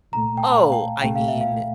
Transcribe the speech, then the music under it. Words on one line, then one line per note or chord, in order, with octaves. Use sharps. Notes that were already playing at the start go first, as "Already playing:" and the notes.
Oh, I mean, w
C2 A#2 A3 A#5
G5
A5
F5
G5
C2 A#2 A3 G5
F5
E5
F5